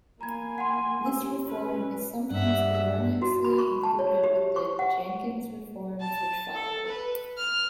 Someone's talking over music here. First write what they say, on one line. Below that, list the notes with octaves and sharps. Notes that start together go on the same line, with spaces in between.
This reform is sometimes erroneously included with the Jenkins reforms which followed.
A#3 G#5 A#5 B5 G#6
F#5 G5 C6
G4 E6
C#4 B4
G2 E5 F#5
F#4
B5
C#6
A5
C#5
G4
C#6
F#5
A5
A4
B4
F6